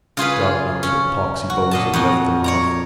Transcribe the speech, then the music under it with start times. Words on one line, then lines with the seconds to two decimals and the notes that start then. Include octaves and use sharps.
God knows what poxy bowsy left them off.
0.17 C#3 F4 G#4 B4
0.83 C#4
1.50 F#4
1.71 A#2 D#5 A5
1.93 F2 F#4
2.44 C#5 D5 A#5